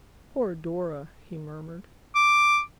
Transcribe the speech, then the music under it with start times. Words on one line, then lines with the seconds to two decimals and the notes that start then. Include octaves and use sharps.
"Poor Dora!" he murmured.
2.15 D6